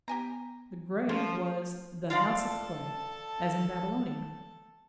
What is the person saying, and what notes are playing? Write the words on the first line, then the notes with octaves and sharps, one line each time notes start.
The grave was the "house of clay", as in Babylonia.
B3 G4 G#5 A#5
F3 A#3 C#4 F4 G#4 C5
F4 A4 D5 F5 A5